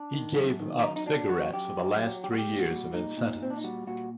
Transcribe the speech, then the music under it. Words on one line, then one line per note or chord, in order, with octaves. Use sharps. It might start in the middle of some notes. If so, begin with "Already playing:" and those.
He gave up cigarettes for the last three years of his sentence.
Already playing: D4
D#3
F#2
D#3
F#2 D#4
D#4
F#3 D4
F#2 F#4
F#2 G4
F#2
F#3
G3 G4
F#4
G4
A#2
F#4
G3
A#2 D#4
A#2
A#2 C4
D4
D#4
G3 F#4
A#2 F#4